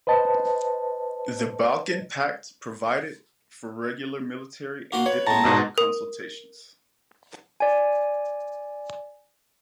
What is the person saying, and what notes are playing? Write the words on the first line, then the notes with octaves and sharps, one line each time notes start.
The Balkan Pact provided for regular military and diplomatic consultations.
B4 C5 D#5 A5
A#3 F#4 C6
B4 C#5
A2 G#3 A5 A#5
G#2 B2
A#4
D5 G#5